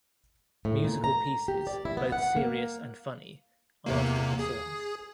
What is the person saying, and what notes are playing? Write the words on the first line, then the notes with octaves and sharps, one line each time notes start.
Musical pieces, both serious and funny, are often performed.
A2
A#2
A#5
G4
D5
E4
B3
F#5
A#3
E2 C3 A#3
G#4